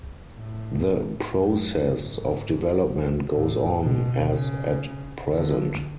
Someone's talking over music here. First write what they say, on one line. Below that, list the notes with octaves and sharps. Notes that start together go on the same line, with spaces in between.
The process of development goes on as at present.
A2
F#2
G#2
A2
B2
C#3
D3